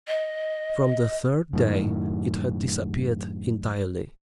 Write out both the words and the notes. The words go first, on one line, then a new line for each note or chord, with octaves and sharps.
From the third day it had disappeared entirely.
D#5
F#2 A2 D#3